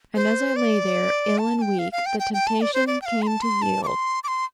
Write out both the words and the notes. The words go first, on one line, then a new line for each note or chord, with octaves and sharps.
And as I lay there ill and weak, the temptation came to yield.
C5
D5
A5
A5
G5
F5
F5
G5
G5
G5
A5
D5
C5
D5
G5
F5
C6
A5
C6
A5
D6
C6
D6
C6